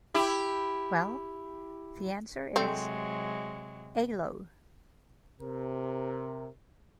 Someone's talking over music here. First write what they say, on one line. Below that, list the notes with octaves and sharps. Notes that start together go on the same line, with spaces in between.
Well, the answers is... A lo.
E4 G4
C3 F#3 G#3 A3 C4
C3 A#4